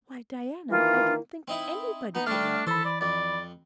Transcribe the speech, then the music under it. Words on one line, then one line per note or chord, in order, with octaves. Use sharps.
Why, Diana, I didn't think anybody could love me.
D#3 E3 A#3 F4
C4 D#4 E4
B3 D#4
G3 A3 D4 F6
E3 A4 C5 B5
D5
F2 D5